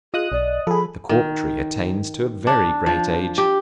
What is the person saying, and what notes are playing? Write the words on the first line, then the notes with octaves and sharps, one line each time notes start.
The Cork Tree attains to a very great age.
F4 G#4 D#5 D#6 F#6
B1 D5
F3 G#4 A4 B5
D#3
D4
F3
G4